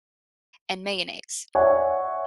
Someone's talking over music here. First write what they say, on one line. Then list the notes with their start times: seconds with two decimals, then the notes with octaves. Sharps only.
and mayonnaise.
1.55 C#5 D5 E5 F#5 G#5